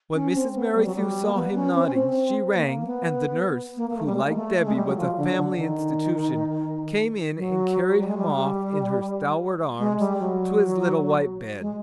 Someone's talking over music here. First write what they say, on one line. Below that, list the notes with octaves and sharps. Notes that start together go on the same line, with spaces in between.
When Mrs. Merrithew saw him nodding, she rang, and the nurse--who, like Debby, was a family institution--came in and carried him off in her stalwart arms, to his little white bed.
C#4
C4
B3
G3
F#3
G3
A#3
B3
C#4
C4
C#4
C4
A#3
A#3
B3
A#3
A#3
A3
G3
G#3
A#3
A3
G#3
G3
F#3
F3
D3
D3
D#3
F#3
G3
G#3
G3
G#3
G3
F#3
G#3